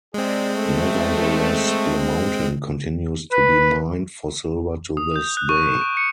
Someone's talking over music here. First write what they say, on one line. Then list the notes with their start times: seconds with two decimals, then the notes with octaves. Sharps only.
Nevertheless, the mountain continues to be mined for silver to this day.
0.14 C3 G#3 C4 G#4 D5
0.55 A3
3.32 B4
4.97 D#6
5.16 G6
5.37 F#6
5.49 C#6
5.68 E7
5.81 D7
5.97 C#7